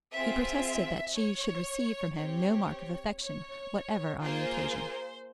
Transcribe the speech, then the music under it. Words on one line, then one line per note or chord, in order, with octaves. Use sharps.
He protested that she should receive from him no mark of affection whatever on the occasion.
C4 F4 G#4 E5
C#5
C4 G4 C#5
C#5
A#3 F4 G#4 C5